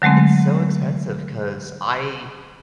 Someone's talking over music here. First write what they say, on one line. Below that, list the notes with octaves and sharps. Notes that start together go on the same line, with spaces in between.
it's so expensive 'cause I
D3 F#3 G#3 A3 C4